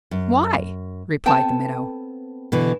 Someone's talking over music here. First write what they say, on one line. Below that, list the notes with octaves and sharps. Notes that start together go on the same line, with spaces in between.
"Why?" replied the Minnow.
F#2
B3 C4 A4 G5 A5
B2 D3 E3